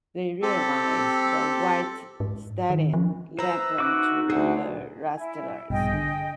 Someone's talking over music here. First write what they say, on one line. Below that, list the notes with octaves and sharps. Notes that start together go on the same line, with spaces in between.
They realize the white stallion led them to the rustlers.
C4 G4 A4
G#2
D#3
F3
B4 C5 E5 A#5
D#4 F#4 D6 F#6
D2 C4 G#4 F#5
E4 G#5
A#1 G2 B2 G#4 D#5 G5
D3